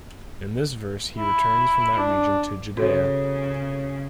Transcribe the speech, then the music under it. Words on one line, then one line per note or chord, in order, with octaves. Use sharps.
In this verse he returns from that region to Judea.
E4
D4
C#3 F#4 A4 C#5